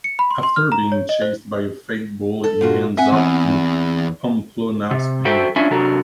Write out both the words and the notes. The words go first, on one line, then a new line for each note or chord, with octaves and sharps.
After being chased by a fake bull he ends up in Pamplona, Spain.
C#7
B5
C6
C6
F6
A#5
C#5
D#5
C5
A4
A#2 F4 F#4
C4 E5 F#5 G#5
E2
C3
F#4 A4 C5 E5 G5
C#4 D4 F4 C#5 E5 G#5
C3 F#3 D4 F#4 A4 A#4